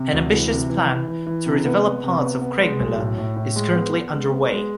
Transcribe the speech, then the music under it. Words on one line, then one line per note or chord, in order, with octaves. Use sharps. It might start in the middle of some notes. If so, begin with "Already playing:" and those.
An ambitious plan to re-develop parts of Craigmillar is currently underway.
Already playing: C3
D2
E3
C3
E3
E3
E3
E3
C3
B3
B3
C3
B3
B3
G#3
B1
A2
A2
A2
G#3
B3
B3
G#3
B3
G#3